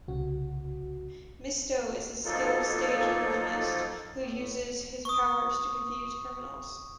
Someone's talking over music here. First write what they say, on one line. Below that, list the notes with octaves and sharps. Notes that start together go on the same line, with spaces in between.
Mysto is a skilled stage illusionist, who uses his powers to confuse criminals.
C2 C#3 F#4
F3 F#3 A#3 D#4 F4 A4
A2
C#6 D#6